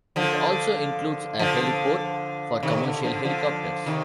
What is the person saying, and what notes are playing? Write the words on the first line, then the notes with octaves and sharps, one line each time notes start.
It also includes a heliport for commercial helicopters.
D3 F3
D3 F3
C3 D#3
D3
D3 F3
D3 F3
C3 D#3